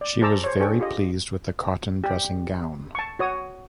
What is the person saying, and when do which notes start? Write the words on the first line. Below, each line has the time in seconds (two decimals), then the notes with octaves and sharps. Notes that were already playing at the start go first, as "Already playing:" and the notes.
She was very pleased with the cotton dressing gown.
0.01 D5
0.21 G#4 C5 A5 A#5 D6 E6
0.44 C5 C#5
0.59 D4 G#4 A4 G5 C#6
0.79 F4 G4 D#5
2.04 G4
2.95 A5 C#6
3.19 F#4 C#5 D#6